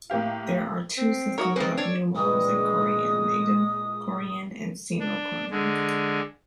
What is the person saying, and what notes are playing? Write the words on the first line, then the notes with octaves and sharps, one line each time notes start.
There are two systems of numerals in Korean: native Korean and Sino-Korean.
A2 A#3 G4 F5
C4
D#4 F#4 A#4 C#5 F#5
D#3 G#3 C4 A#4 B4
D4 C#5
A#2 E3 G#3 D4 G4 D#6
D4
D3 G#3